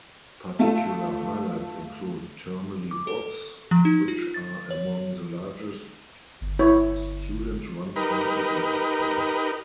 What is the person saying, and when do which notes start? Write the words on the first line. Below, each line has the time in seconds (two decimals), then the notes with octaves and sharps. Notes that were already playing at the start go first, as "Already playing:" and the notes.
Particular highlights include termly bops, which are among the largest student-run parties in Oxford.
0.59 A3 F4 A4
2.91 D6
3.07 A4
3.71 F3
3.85 D#4
4.08 F4
4.34 A6
4.71 C#5
6.41 G1
6.59 E4 C#5
7.96 D#4 G4 A#4 B4